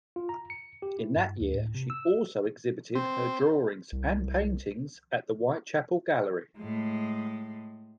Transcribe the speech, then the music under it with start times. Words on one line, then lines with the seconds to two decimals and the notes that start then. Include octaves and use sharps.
In that year she also exhibited her drawings and paintings at the Whitechapel Gallery.
0.16 F4
0.29 A#5
0.50 C#7
0.82 G4
0.99 E4
1.16 G2
1.41 D2
1.54 A2
1.75 C3
1.90 E6
2.95 C4
3.92 C2
6.57 A2 G#3